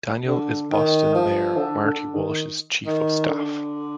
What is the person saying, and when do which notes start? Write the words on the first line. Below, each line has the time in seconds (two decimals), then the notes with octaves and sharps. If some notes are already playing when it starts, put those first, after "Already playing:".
Daniel is Boston Mayor Marty Walsh's chief of staff.
0.27 D3
0.72 D#3
1.15 F3
1.57 D3
1.85 D3
2.14 D#3
2.87 D#3
3.29 D3